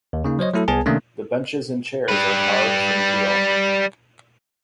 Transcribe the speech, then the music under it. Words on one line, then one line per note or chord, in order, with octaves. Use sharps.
The benches and chairs are carved from deal.
D#2
C#3 A#3 D#4
F#3 C5 C#5 D#5
F#3 A3 E4 A4
C2 B3 G#4 G#5 A5
C3 D#3 A3 A#3 C#4 D4
G3 B4